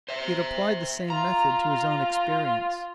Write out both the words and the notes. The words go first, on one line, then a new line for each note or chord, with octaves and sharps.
He had applied the same method to his own experience.
C5 E5
F4 A#5